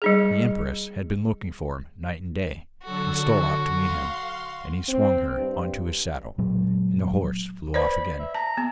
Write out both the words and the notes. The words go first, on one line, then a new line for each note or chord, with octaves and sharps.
The empress had been looking for him night and day, and stole out to meet him, and he swung her on to his saddle, and the horse flew off again.
G3 D#4 G#4
D3 F#3 F#4 A4
F5 C6
C4
G2
A#2 F#3 G#3
B4 C5 D5 B5
E5
A5 A#5
B3